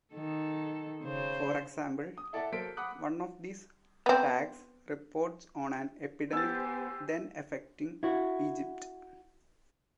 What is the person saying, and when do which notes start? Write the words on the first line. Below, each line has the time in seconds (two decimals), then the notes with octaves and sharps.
For example, one of these tags reports on an epidemic then affecting Egypt.
0.14 D#3 A4
1.04 C#3 C5
2.18 D#6
2.33 E4 A4 D5 E5 F#5 A5
2.52 F#3 A#3 A4 C5 B6 D7
2.77 F#5 B5 D6 D#6 F#6
4.06 B3 C4
6.33 B3 G4 C5 G#5 E6 A6
8.03 E4 F#4